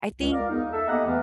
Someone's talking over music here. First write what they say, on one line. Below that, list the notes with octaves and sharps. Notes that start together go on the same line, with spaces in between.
I think
C#2
A#4 D5 F5
E2 D#4
A4 E5
A#3 B3 G4 D#5 F#5 A#5
E2 E3 A3 B3 F5